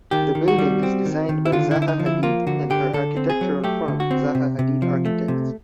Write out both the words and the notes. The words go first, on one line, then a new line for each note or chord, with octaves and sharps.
The building is designed by Zaha Hadid and her architectural firm Zaha Hadid Architects.
D#3 G4
D#3
F#4
G3
C4
D#3
D#3
E4
D3 F4
E4
D3
E4
D#4
F3
E4
A#3 F4
D3 F#4
D3 G4
D3 A4
C4
G#4
F#3
A3 G4
D3
F#4
C4
C3
C3
F3
A3
C3